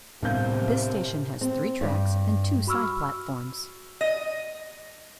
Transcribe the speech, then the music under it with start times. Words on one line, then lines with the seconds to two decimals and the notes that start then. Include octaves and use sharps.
This station has three tracks and two side platforms.
0.23 C2 A2 C3 B3 D4 F5 G6
1.41 C4
1.81 G2
2.67 F#4 B5 C#6 E6 F6
4.01 D#5